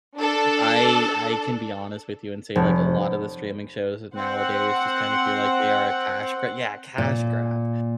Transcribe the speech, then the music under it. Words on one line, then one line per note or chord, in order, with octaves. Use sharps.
I I can be honest with you and say, like, a lot of the streaming shows nowadays just kind of feel like they are a cash gr Yeah, cash grab
D4 A4
F1
C4 C5 F#5
A#2